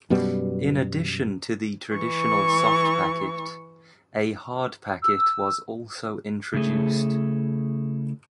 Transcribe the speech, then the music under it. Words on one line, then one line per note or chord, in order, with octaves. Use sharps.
In addition to the traditional soft packet, a hard packet was also introduced.
F#2 B2 G3 B3
E3 C#6
E6
C#3 A3 E4 F#4 G#4 A4